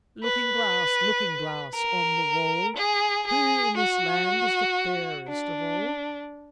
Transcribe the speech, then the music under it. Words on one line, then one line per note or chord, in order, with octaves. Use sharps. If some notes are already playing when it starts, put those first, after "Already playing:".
"Looking-glass, Looking-glass, on the wall, Who in this land is the fairest of all?"
B4
A#4
G#4
G#4
F#4
D4